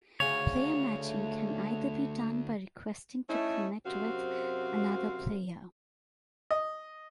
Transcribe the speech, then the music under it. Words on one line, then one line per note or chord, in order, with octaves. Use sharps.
Player matching can either be done by requesting to connect with another player.
D2 C#3 C#5 G#5
A3
A3 C#4 D#4 E4
F#2 C3 C4 F#4 F5
D#5